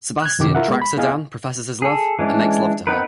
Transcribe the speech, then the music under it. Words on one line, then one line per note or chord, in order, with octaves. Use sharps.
Sebastian tracks her down, professes his love, and makes love to her.
F#6 G#6
F#2 C3 D#3 G4 D6
E4 F4 A#4 E5 F#5
G#3 B3
B5
B3 E4 G#4 D#5 F5 G#5
G#4 A4
E3 G#3 C#4 D4
B3 C4 D#4 A#4 B4